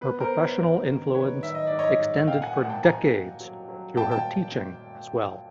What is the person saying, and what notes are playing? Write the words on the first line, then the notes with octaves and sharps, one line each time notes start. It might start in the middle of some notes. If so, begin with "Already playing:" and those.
Her professional influence extended for decades through her teaching as well.
B3 B4
A#4 C5
B3
B4 C#5
G#2
D#3
D#3 B4 C#5
D#3 E5
D#5
G#2 D5
C#5 D#5
G#2
A#2 F5 G5
F#5 G#5
A#2 F#5 G#5
G5 A5
A#2 G#5 A#5
F#3
F#3
F#3
A#2 G5 A5
G5 A5